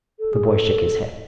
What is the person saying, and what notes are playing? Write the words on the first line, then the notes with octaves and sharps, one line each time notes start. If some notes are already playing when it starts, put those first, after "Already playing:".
The boy shook his head.
A4
G#4
A4